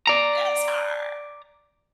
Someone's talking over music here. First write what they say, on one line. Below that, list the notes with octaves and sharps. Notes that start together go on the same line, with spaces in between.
That's hard.
D5 A#5